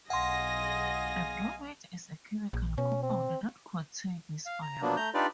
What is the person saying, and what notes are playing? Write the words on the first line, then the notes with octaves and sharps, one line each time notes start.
A bromate is a chemical compound that contains this ion.
B1 G#4 D#5 F5 F#5 G#5 C6 A#6
A#1
B2 C#4
C4
F5
A#5
F3 F#3 A#3 B3 D4
A3 A#5 G6
D4 D#4 F4 G4 B4 D5